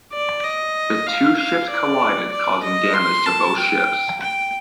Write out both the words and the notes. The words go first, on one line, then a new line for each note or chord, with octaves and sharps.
The two ships collided causing damage to both ships.
D5
D#5
F5
F5
D5
D5
D#5
C6
A5
G5
G5